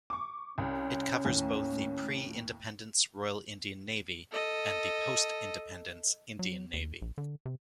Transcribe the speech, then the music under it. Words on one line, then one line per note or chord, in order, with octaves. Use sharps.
It covers both the pre-independence Royal Indian Navy and the post-independence Indian Navy.
C#6 D6
C2 C#4
D#2 A2
A4 D#5
F#3
D#2
A#1
D3
C3